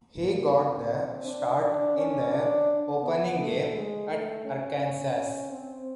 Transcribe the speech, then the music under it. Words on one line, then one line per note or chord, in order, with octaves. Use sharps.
He got the start in their opening game at Arkansas.
A#3
C4
D4
D4
C#4
D4
B3
A3
G#3
A3
C#4
C4